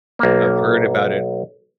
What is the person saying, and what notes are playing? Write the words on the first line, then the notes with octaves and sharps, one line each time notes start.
I've heard about it.
B1 A#3